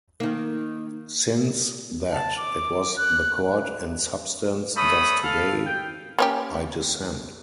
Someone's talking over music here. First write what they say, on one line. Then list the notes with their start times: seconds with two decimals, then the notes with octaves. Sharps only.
Since that is what the Court in substance does today, I dissent.
0.20 D#3 A#3 D#4
2.12 A5
2.37 D6
2.97 F#6
4.77 A3 C#4 B5 D#6
5.23 A4 F5
5.65 G5
6.19 A#3 C#4 G4